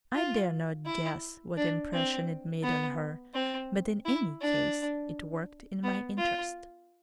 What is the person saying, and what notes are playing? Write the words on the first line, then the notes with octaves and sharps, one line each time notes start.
I dare not guess what impression it made on her, but in any case it worked in my interests.
F4
E4
D4
C4
B3
C4
E4
D4
B3
F4